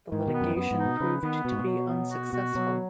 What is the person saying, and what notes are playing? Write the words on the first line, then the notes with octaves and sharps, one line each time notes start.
The litigation proved to be unsuccessful.
G#2 D#3
B2
B3
F#2
F#2 B3
G#2
D#4
B2
C#3 B4
D#3 B3
B2 F#4
G#2
B2
F#3
B3
F#4
B2 F#4
B2 F#3